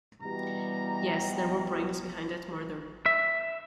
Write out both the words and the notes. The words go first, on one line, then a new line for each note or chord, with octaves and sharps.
Yes, there were brains behind that murder.
B2 E3 G3 A#5
E5